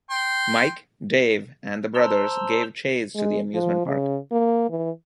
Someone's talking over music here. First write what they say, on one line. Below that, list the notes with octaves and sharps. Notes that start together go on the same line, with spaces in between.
Mike, Dave, and the brothers give chase to the amusement park.
G5 C6
C5 A5 A#5 C6 E6
G#3
F3
C#3
A#3
E3